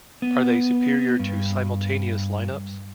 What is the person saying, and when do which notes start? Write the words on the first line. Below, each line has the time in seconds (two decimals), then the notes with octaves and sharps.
Are they superior to simultaneous lineups?
0.22 B3
1.19 G2